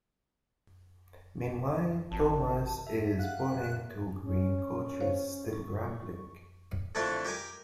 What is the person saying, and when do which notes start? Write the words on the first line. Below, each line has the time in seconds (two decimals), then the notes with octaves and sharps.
Meanwhile, Thomas is pulling two green coaches, still grumbling.
2.12 G#1 A5
2.87 E5
3.19 F5 F#5 F#6
4.23 C#4
5.01 C5 C#5 F5
5.51 C#6
6.95 F2 D3 A3 D4 E4 F5
7.25 G4 A#4 G5 G#5